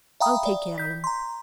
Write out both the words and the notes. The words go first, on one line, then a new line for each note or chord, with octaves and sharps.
I'll take care on him.
E5 F5 G5 A#5 B5 D#6
D5
G6 B6
A#5 C6